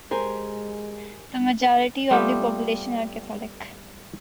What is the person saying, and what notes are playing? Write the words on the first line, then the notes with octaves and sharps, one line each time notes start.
The majority of the population are Catholic.
G#3 G4 A#4 C5 G#5
G3 A3 B3 F4 G4